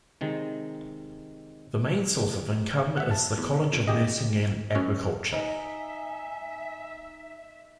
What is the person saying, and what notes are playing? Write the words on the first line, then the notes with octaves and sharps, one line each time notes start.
The main source of income is the College of Nursing and Agriculture.
C3 D#3 G#3
E5 F#5
A5
E2
F2
G#1 G4 G#4 D#5
F#2 C#4
D#4 E5 G#5